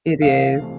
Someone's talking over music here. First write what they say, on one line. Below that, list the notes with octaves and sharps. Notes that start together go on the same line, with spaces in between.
It is.
C2 C3 E3 A3 F5
C3 E3 A3